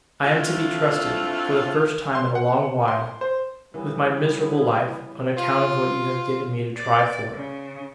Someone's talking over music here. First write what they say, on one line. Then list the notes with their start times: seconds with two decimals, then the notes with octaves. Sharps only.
I am to be trusted, for the first time in a long while, with my miserable life, on account of what you have given me to try for.
0.24 F2 A2 A3 D4 F4
2.15 C6
2.35 F#5
2.88 C6
3.21 C5
3.74 C#3 E3 G3 B3 E4
5.37 F4
6.77 D5
7.34 C#3